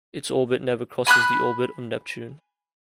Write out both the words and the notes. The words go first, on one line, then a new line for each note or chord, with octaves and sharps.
Its orbit never crosses the orbit of Neptune.
G#5 B5 D#6 F#6